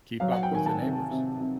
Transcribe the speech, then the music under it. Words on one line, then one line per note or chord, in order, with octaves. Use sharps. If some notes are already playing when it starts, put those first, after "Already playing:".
keep up with the neighbors.
F#3 F5
F#5
G5
D#3 G#5
A5
C3
C3
C3